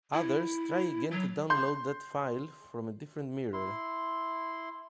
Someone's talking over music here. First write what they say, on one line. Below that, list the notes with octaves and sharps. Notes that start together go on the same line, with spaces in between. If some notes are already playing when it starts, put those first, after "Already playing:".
Others try again to download that file from a different mirror.
E4
F#3
C6 G6
E4 C6